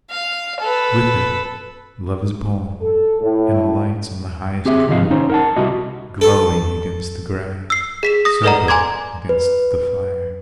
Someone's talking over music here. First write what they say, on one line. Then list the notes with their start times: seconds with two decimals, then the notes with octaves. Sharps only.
With it love is born, and alights on the highest curve, glowing against the grey, sober against the fire.
0.10 F5
0.60 A4 B4
2.82 A4
3.21 A2
4.65 C4 G4 G#4 E5
4.87 C2 D#3 F3 D#5 F5
5.10 C#4 D#4 C5
5.30 A#4 F#5 A5
5.56 C2 G3 E4 F#4 D#5
6.21 A4
7.70 E6 C7
8.03 G#4 B6 E7
8.25 D#6 A#6
8.44 A4 B4 D5 D#5 F#5 A#5
8.68 G#5 A#5 C6 D6 G#6
9.29 B4